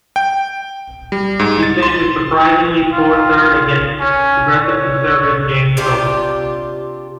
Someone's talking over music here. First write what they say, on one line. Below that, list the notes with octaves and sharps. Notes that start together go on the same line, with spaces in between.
He finished a surprisingly poor third against Progressive Conservative James Cowan.
G5
G3
G#2
A6
C6
F4
C#4
C#5
C3 D4 F4 G4